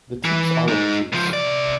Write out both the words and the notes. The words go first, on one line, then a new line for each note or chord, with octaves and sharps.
The tips are obtuse.
E3
G#3 D#4
C#2 F3
C3 D5